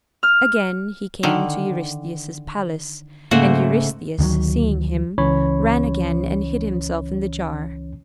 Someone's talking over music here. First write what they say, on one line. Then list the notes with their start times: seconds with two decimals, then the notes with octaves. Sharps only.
Again he came to Eurystheus's palace, and Eurystheus, seeing him, ran again and hid himself in the jar.
0.23 F6
1.23 D3 D#3
3.31 G#2 C#3 A3 A#3 F#4 C5 F#5
4.19 D2 D#3 F3 F#3
5.18 C#2 E3 C#4 C#5 B5